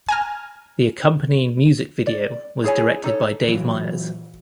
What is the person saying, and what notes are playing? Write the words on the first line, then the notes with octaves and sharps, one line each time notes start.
The accompanying music video was directed by Dave Meyers.
G#5 A#5 F6
D5
E4 G#4 C#5 G#5
D#4 A4 C#5
A#2 E3 F#3